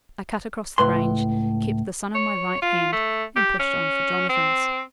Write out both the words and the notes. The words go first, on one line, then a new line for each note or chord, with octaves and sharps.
I cut across the range, kept the sun on my right hand, and pushed on for Jonathan's.
C#2 A2 B4 C6
C#5
F4
A3
G4
C#4
C4